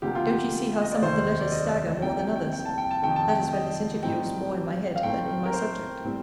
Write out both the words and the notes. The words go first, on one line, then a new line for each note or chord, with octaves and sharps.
Don't you see how some of the letters stagger more than others?--That is when this interview is more in my head than in my subject.
D2 C3 F3 A#3 G4
F4
G4
D#5
D5
F1 D#2 D#3 A3 C5
D5
D#5
C2 C3 F3 A#3 D#4 G5
G5
G5
G5
A5
G5
A5
F2 C3 D#3 G5
A5
G5
D#5
A2 G3 C4 D#4 G5
F5
A2 A3 C4 D#4 G5
A#4
C5
A2 G3 C4